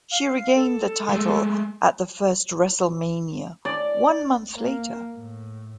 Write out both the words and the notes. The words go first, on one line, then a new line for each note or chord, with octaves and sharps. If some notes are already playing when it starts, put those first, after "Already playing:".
She regained the title at the first WrestleMania one month later.
F5
A4
G#3 A3
D5
A#3
A2